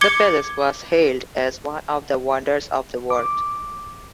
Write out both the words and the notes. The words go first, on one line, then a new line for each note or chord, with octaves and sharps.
The palace was hailed as one of the wonders of the world.
D6 G#6 C#7 G7
D6